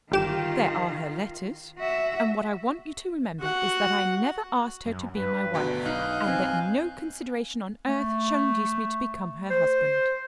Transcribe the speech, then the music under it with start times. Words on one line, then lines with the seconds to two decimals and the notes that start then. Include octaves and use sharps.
There are her letters, and what I want you to remember is that I never asked her to be my wife, and that no consideration on earth shall induce me to become her husband.
0.12 G1 D#3 F4 G4 E7
1.79 F#4 E5
3.40 F#4 F#5
4.85 F#2
5.17 G2 B4
5.54 G1 D2 B2
5.85 B1 D#4 D#5 F5 F#6 G6
6.28 B1 C4 G#5
7.87 A3
9.50 C5